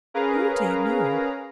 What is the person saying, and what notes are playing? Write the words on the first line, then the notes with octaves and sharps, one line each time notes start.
'Oh dear, no!
C#4 G#4 A#4 B4 F5 A#5